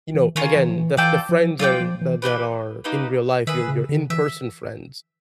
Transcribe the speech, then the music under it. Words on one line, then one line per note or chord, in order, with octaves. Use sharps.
you know, again, the the friends are that that are in real life, your your in-person friends,
E3
D#3 C#4 F4 A#4
E3
F3
E3
E3 F4 A4 D5 G5
F3
F#3 F4 A4 D5 G5
F3
E3
A#3 D#4 G4 B4
A#3 D#4 G4 B4
D#3 G#4 B4 E5
C#3
D3
E3 E5